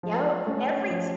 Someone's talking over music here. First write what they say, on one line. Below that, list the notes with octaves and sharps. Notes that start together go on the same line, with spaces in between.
Yep, every
F3
A3 C#4
F3